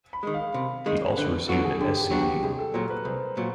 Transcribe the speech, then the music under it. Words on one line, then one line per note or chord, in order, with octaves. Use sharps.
He also received a Sc.D.
B5
D#3 G#3
F5
C3
D#3 G#3
D3 B4
F#3 B3 D4 F#4 A4
G#4
D3 G4
G4
G#4
F#3 B3 D4 F#4
G4
C2 G#4
A4
A#2 F#3 A#4
B4
C2 C5
A#2 F#3